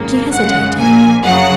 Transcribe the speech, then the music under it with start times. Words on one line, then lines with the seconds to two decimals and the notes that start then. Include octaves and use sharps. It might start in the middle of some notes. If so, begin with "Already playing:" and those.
She hesitated.
Already playing: G#1 F#2 C#3 A#3
0.32 F#2 C#3 G#3 F#5
0.78 A#1 A#2 A#3 G#5
1.23 F#2 C#3 F#3 F#5